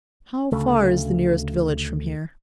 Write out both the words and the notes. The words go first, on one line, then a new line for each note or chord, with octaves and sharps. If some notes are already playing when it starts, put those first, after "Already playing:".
"How far is the nearest village from here?"
D2 C#3 A3